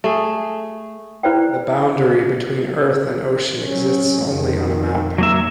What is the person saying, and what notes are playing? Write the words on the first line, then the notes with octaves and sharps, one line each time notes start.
The boundary between earth and ocean exists only on a map.
A3 G#4
E4 B4 C5 D5 G5
F#3 C#4
F2 D#3
F#3 A#3 E5